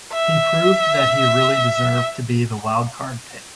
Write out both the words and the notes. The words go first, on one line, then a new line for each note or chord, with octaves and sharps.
He proved that he really deserved to be the wild card pick.
E5